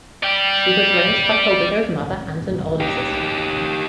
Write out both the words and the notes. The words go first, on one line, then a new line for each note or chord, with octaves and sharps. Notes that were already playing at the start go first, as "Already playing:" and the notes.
She was raised by her widowed mother and an older sister.
D5 G5
D#4 G4